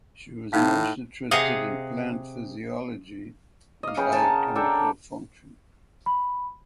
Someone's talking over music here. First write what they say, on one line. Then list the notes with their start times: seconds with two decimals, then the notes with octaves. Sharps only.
She was most interested in plant physiology and biochemical function.
0.53 A2 D#4 F5
1.31 C3 G#4 D#5 F5 F#5
3.83 D#5 F5
3.97 C#3 B4 F#5 G5
4.12 A#4 A5
4.55 D4 A4 A#4 G5
6.06 B5